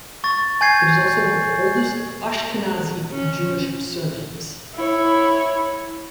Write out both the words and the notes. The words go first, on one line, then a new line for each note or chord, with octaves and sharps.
It is also one of the oldest Ashkenazi Jewish surnames.
C#6 A6
G#5 G6 G#6 C7
C#4
E4 C#5